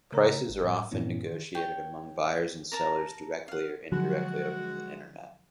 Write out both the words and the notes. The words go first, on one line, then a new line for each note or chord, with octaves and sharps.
Prices are often negotiated among buyers and sellers directly or indirectly over the Internet.
C#3 A3 A#4 C#5 A#5
G#1
A2 G3
G2 A#2 E3 B3 C#4 E4
D#3
C#5 G5
A#4 A5 A#5
F5 F#5
D3 F3 F#3 G#3 F#4